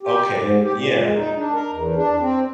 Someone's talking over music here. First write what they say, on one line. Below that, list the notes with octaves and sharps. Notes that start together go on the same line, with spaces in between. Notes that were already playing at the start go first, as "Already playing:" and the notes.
Okay, yeah.
G4
G#2
G4
A#2
G#3
D#4
D4
A#4
E2
D4
C4